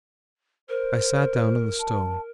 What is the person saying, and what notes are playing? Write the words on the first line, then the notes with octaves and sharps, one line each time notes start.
I sat down on the stone.
A#4 C5
A5